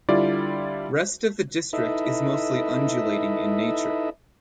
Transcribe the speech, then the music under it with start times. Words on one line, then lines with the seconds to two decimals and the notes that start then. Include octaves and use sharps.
Rest of the district is mostly undulating in nature.
0.09 D3 G3 E4 F4 D5
1.73 D#4 E4 A4 B4 D#5 E5